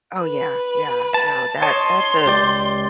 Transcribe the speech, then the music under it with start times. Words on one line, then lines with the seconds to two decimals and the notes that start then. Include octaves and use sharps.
Oh, yeah, yeah, no. That that's a
0.22 B4
1.14 A5
1.62 C#5 D#5 A5 C6
2.26 C#2 G4 D5